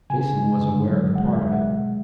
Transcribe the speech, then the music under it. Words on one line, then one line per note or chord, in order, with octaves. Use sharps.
Jason was aware of part of it.
C#3 G#5
G#3
D3
F#3
G#3 F#5
E5
G#3
F#5
B2